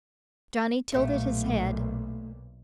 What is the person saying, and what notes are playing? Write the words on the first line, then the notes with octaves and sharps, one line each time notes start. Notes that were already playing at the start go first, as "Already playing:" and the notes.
Johnny tilted his head.
B1 A#2 A3 A#3 G4